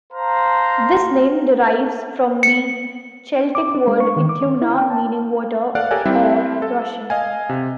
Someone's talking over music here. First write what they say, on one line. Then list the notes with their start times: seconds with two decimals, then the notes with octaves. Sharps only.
This name derives from the Celtic word "ituna", meaning "water", or "rushing".
0.13 C5 F5 A5 A#5
2.43 C#7
3.55 D6
3.75 D4
3.87 G#3
4.00 C#6
4.16 D#3
4.29 D6
4.42 C#5
4.62 E4
4.75 G5
4.90 A5
5.75 A4 D5 F5 F#5 F#6
5.91 G4 A4 A#4 C#5 D5 G#5
6.05 G3 C4 E4 E5
6.62 A4
7.10 D#5 F5 G#5
7.49 C3